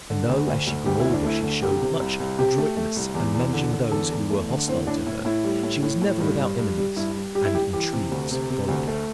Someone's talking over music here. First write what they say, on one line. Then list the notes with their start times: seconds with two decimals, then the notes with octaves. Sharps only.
And though, as she grew older, she showed much adroitness in managing those who were hostile to her, she was never without enemies, and intrigues followed her.
0.10 D3
0.29 D2
0.48 D2
0.67 D2
0.86 D2 G4
1.00 E4
1.05 D2
1.13 D4
1.24 A3 E4
1.44 D3
1.62 C2 G4
1.81 C3
2.01 C2
2.20 C2
2.38 C3 G4
2.58 A3
2.77 A3
2.96 C2
3.15 E2
3.34 E2
3.53 D3
3.73 D3
3.91 E2 A4
4.11 E2
4.30 A3
4.49 D3
4.68 A2 C4
4.87 A2 D4
5.06 A2 E4
5.25 A2 E4
5.44 G3
5.63 A2
5.83 A2
6.01 A2
6.20 G2
6.40 G2
6.59 G2
6.78 G3
6.96 G2 E4
7.16 G3
7.35 G3 G4
7.45 E4
7.54 G2 G4
7.73 E3 G4
7.93 C3
8.12 D2
8.31 C3
8.50 C3
8.68 D2
8.88 A3